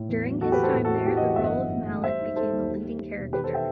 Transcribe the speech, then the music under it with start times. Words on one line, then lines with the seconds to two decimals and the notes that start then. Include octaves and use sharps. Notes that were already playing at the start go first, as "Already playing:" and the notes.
During his time there, the role of Mallet became a leading character.
Already playing: A2
0.09 E2
0.25 F#3
0.41 E2 F#4 A4
0.52 G4 B4
0.57 E2
0.63 A4 C5
0.73 A2
0.85 F#4 A4
0.90 C4
0.95 F#4 A4
1.06 E3 G4
1.16 D#5 F#5
1.22 E3
1.28 F#5
1.36 G1 E5
1.44 D#5 F#5
1.54 F#2
1.71 A3
1.87 A3
2.03 G3 C5 E5
2.19 D#4
2.36 D#4 A4 C5
2.52 D#2
2.68 G3
2.85 G3
3.01 G3
3.17 E1
3.33 D#3 G4 B4
3.44 A4 C5
3.54 E5 G5